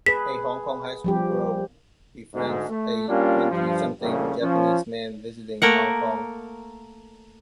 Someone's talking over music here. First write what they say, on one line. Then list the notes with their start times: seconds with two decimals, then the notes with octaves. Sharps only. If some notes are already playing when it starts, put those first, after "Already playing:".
A Hong Kong high school girl befriends a twenty-something Japanese man visiting Hong Kong.
0.06 G#4 B4 B6
1.04 F3 G3 G4
2.34 D2 G#2
2.69 A3
3.08 G3 A#3 C#4 D4 F4
3.51 G2 F3
4.01 F2 A2 C#3 G3 A3 A#3
4.41 F3 C#4
5.62 A3 A#3 A#4 F#5